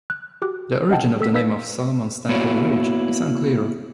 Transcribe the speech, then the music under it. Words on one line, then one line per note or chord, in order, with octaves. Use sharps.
The origin of the name of Solomon's Temple Ridge is unclear.
F#6
F#4 G4 D6 F#6
C#4 D#5 F#5 G5 A5
A3 A4 E6 B6
D#4 A#4 B4 F5 E6 B6
A#3 B3 E4 F#4 C#5 D5